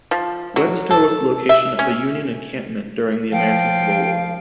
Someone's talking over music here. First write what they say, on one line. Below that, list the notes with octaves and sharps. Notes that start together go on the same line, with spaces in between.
Webster was the location of a Union encampment during the American Civil War.
F3
F#3
A4
E5
C#4
F3 F5 G5